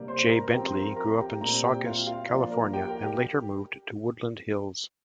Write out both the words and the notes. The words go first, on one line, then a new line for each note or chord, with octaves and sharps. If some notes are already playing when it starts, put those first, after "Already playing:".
Jay Bentley grew up in Saugus, California, and later moved to Woodland Hills.
Already playing: C3 G3 A#3 D4
C5 C6
A#4 A#5
A#5
F3 C4 G4 G5
C6
A#4 A#5
A#4 A#5
G4 G5
A#2 G3 C4 A#4 A#5
G4 G5
F4 F5
F4 F5
F3 A#3 D4 D5
A#4
G4 G5
A#4 A#5
G4 G5